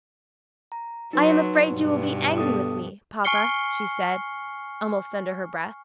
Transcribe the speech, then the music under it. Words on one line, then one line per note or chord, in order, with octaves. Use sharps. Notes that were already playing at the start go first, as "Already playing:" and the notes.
"I am afraid you will be angry with me, papa," she said, almost under her breath.
A#5
F#3 D#4 B4 C6
G2 B2
B3 A4 D#6
G#5 C#6 F6 C7 C#7 G7